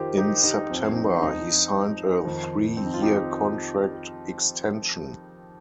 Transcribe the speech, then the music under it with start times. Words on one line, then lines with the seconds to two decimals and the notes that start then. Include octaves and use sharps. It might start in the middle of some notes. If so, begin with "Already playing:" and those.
In September, he signed a three-year contract extension.
Already playing: F2 D#3 D#4 F4 G4 A#4 C5
0.18 D#4 G4
0.44 D#4 G4
0.70 F2 F3 C4
0.96 D#4
1.22 D#4
2.25 F2 D#3
2.77 C4
2.86 D#4
2.94 F4
3.02 D#4 G4